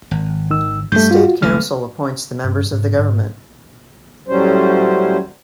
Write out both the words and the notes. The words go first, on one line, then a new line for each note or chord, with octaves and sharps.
The State Council appoints the members of the Government.
G#1
D#3 E6
G2 G3 A3 G6
F4 F#4
F#1 C2 D3 A3 F6
G2
G#2
G#2
A2 F#3 G3 C#4 C5